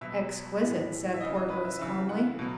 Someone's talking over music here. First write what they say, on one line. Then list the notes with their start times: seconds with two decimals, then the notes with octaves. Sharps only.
"Exquisite," said Porthos, calmly.
0.01 B2 F#3 E5
0.61 A2 E3
1.14 E5
1.20 C#3 E3 D#5
1.35 D#5
1.50 B4
1.65 E5
1.79 C#3 E3 E5
2.09 F#5
2.39 B2 F#3